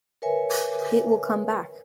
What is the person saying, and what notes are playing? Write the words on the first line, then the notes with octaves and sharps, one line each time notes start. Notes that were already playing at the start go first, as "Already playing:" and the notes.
It will come back.
A#4 B4 C#5 E5 G#5